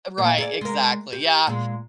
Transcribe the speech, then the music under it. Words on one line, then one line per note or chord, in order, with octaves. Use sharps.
Right, exactly, yeah.
A#2 A#3
G#4 A4 D5
G#3 A#4
G4
A#2 G#3